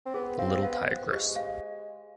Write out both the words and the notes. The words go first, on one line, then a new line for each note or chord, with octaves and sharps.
The little tigress.
C4
B3 G#4
C4 F5
B3 F5
C5
G#3 G4
F5